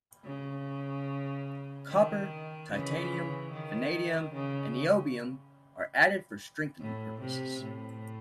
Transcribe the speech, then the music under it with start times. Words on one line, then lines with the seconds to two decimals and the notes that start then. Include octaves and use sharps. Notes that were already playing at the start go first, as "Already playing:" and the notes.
Copper, titanium, vanadium, and niobium are added for strengthening purposes.
0.24 C#3
1.89 D#3
2.70 C#3 E3
3.52 D#3
4.34 C#3
6.80 A2
7.21 C3
7.63 A2